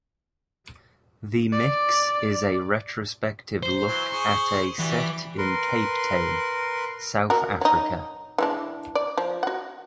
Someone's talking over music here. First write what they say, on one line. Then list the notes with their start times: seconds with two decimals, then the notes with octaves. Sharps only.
The mix is a retrospective look at a set in Cape Town, South Africa.
1.53 D5
3.63 C5
3.88 E3 F#3
4.10 G#4 C#6
4.79 E3 F#4 G4 D5
5.38 A#4 B4 C6
7.30 F#4 A#4
7.61 F#3 D#4
8.38 E3 G#3 D4
8.95 D5
9.17 F3
9.43 F#4 F#5